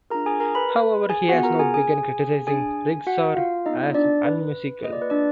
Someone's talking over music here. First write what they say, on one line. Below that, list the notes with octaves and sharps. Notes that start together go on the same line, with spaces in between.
However, he has now begun criticizing rigsar as unmusical.
D4 F4 G#4 A#4 A#5
G#4 G#5
A#4 A#5
B4 B5
B4 B5
G#4 G#5
B3 F4 F#4 G#4 F#5
A#4 A#5
G#4 G#5
G#4 G#5
D4 G#4 G#5
F#4 F#5
F4 F5
B3 D#4 F4 G#4 D#5
D4 D5
B4
A#3 F4 G#4 D#5
D5
B4
D4 D5